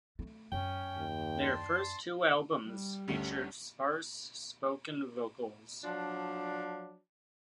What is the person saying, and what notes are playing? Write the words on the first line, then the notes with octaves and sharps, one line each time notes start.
Their first two albums featured sparse, spoken vocals.
A3
F#2 C#4 G5
D#2
D4 A5 C6
G3
G1 D2 A3 C#4 G4
F3 F#3 D4